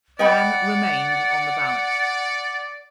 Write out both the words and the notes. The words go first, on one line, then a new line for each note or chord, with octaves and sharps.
Vann remained on the ballot.
D5 D#5 F#5 G5 B5